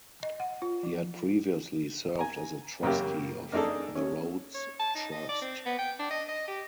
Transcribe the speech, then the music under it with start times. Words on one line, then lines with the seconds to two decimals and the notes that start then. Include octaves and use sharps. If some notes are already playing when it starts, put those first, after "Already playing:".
He had previously served as a Trustee of the Rhodes Trust.
0.23 D#5
0.40 F#5
0.62 F4
0.83 F3
2.19 G#5 A#5
2.83 F#2 C#3 A#3 G4
3.52 A#3 D4 D#4 G#4 A4
3.95 C#4
4.54 C#5
4.79 A5
4.95 D#4
5.12 D#5
5.29 D5
5.41 C4
5.66 B3
5.79 G5
5.99 D4
6.11 D#5
6.28 D#5
6.48 G4